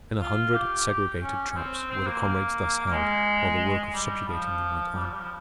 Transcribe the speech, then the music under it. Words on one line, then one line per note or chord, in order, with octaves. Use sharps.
In a hundred segregated traps were the comrades thus held while the work of subjugating them went on.
F4
G4
G4
C#4
C#4
C4
C4
A#3
A#3
G#3
G3
F3
G3
F3
G3
F3